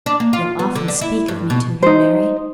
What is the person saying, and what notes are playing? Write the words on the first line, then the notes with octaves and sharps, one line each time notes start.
You'll often speak of me to her, Mary?
D4
A#3
F4
B3
D3
D4
E4
G2
B2
D#4 C5